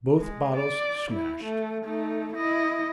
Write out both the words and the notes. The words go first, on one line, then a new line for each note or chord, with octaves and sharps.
Both bottles smashed.
G#3
D5
E4
A3
A3 D#4
E4 D#5